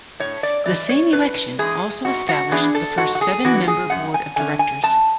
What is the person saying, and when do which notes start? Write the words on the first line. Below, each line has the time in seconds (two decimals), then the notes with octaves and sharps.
The same election also established the first seven-member board of directors.
0.20 A2 C#5
0.43 D5
0.66 E3 G#3 D5
0.89 C#5
1.13 A2 B4
1.59 E3 G#3 G#4
2.05 G#2 F#4
2.29 F#4
2.51 E3 B3 D4 G#4
2.75 A4
2.97 G#2 F#4
3.15 F#4
3.21 G#4
3.44 E3 B3 D4 F#4
3.68 G#4
3.90 F#2 F#5
4.14 G#5
4.36 D3 A3 C#4 G#5
4.59 G#5
4.83 F#2 A5